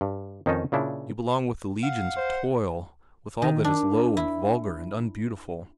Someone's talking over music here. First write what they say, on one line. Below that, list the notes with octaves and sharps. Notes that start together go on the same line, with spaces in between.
You belong with the legions of toil, with all that is low, and vulgar, and unbeautiful.
G2
F2 D#3 C#4 D#4 A5
A#2 C#3 D4 E4
F5 F#5
C5
D#3
D4
E4